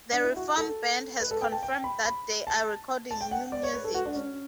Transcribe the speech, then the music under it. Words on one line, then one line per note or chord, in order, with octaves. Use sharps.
The reformed band has confirmed that they are recording new music.
D4
E4
F#4
A4
B4
A4
G5
A5
G5
B5
B5
A5
A5
G5
F#5
D5
C#5
B4
A4
F#4
D4
C#4